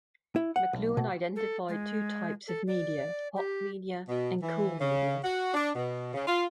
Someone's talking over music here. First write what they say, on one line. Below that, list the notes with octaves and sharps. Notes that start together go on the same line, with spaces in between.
McLuhan identified two types of media: "hot" media and "cool" media.
E4
F#5
B1
B2
A4
G#3
A4
D5
G4
B2
E3
C#3
F#4
D4
B2
C#3
F4